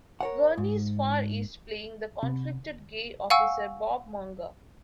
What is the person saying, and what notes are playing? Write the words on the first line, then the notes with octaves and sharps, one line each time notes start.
Gurney's "Far East", playing the conflicted gay officer Bob Munger.
A#4 C#5 F#5
G#2
C3
F5 F#5 G#5 C#6 E6